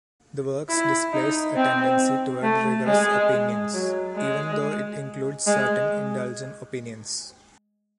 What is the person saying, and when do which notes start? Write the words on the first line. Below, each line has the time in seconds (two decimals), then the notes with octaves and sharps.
The works displays a tendency toward rigorous opinions, even though it includes certain indulgent opinions.
0.69 E4
1.13 D#4
1.56 C4
2.43 A3
2.87 G#3
3.73 F#3
4.17 G#3
5.47 G#3